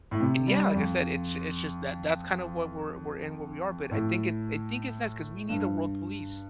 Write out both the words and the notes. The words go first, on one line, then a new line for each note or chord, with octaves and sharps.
and yeah, like I said, it's it's just that that's kind of what we're we're in, where we are. But I think it I think it's nice 'cause we need a world police.
A2
C3
G3
F2
A2
G2